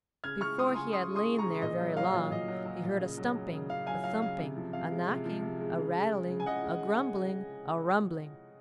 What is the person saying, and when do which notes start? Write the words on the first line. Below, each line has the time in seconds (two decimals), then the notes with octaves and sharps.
Before he had lain there very long he heard a stumping, a thumping, a knocking, a rattling, a grumbling, a rumbling.
0.24 C#3 F6 G#6
0.41 G#3 C#6 F6
0.58 G#3 C6 D#6
0.75 C#3 G#5 C6
0.93 C#3 C6 D#6
1.10 G#3
1.15 C6 D#6
1.27 G#3
1.38 A#5 C#6
1.45 C#3
1.62 A#2 D#5
1.80 F#3
1.97 F#3 F5
2.14 A#2
2.31 A#2 D#5
2.48 F#3
2.65 F#3
2.83 A#2
3.00 C#3
3.18 F#3
3.35 F#3
3.52 C#3
3.70 C#3 F5
3.86 F#3 F5 G#5
4.04 F#3 F5
4.22 C#3 F5
4.38 C3
4.57 F3
4.73 C3 F5
4.91 G#3
5.08 C3
5.25 F3
5.42 C3
5.60 G#3
5.77 C#3
5.94 G#3
6.12 G#3
6.30 C#3
6.40 G#5
6.46 C#3 D#5 F#5
6.63 G#3